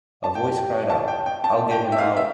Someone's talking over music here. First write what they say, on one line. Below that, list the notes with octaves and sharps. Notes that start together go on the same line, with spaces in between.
A voice cried out, "I'll get him out!".
A5
G5
A5
G5
G5
A5
G5
E5
F5
E5